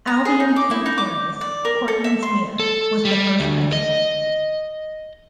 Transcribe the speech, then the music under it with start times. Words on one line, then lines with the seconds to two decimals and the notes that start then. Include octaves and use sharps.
Albion K. Parris, Portland's mayor, was the first President.
0.07 A#5
0.25 G#4
0.40 D#4
0.56 D6
0.71 E4
0.86 D#4
0.98 D6
1.41 D5
1.65 A#4
1.88 A4
2.04 E5
2.22 C6
2.60 A4
3.05 G3
3.40 D2
3.73 D#5